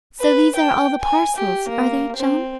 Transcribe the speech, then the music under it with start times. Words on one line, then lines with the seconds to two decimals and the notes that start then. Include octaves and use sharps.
"So these are all the parcels, are they, John?"
0.21 B4
0.56 G5
1.02 G#5
1.36 G4
1.69 A#3
2.16 C4